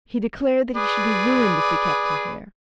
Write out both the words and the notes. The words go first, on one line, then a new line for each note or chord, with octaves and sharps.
He declared that he should be ruined if we kept him here.
G#4 B4 D5